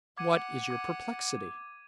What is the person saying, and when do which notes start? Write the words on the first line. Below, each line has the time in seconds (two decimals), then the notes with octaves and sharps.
"What is your perplexity?"
0.17 F#5 D6 G#6 D#7
0.70 D6 G#6 D#7